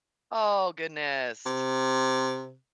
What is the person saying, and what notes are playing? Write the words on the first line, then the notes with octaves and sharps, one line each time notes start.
Oh, goodness!
C3